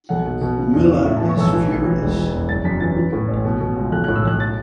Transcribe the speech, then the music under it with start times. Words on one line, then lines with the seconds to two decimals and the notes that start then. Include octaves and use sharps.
Miller is furious.
0.09 B1 F#5
0.25 B2
0.41 B2
0.58 C#3
0.73 E2
0.89 C#3
1.05 A2 E5
1.17 E3 A5
1.29 C#6
1.37 B1 E6
1.53 E3
1.68 A1
1.85 E3
2.01 E1
2.17 E3
2.32 E2
2.49 F#1 A6
2.64 F#2 B6
2.80 E3 A6
2.97 E3
3.13 A2
3.28 A1
3.45 B2
3.61 B2
3.76 C#2
3.91 B1 F#6
4.04 A2 F#6
4.16 E6
4.24 B1 F#6
4.40 A6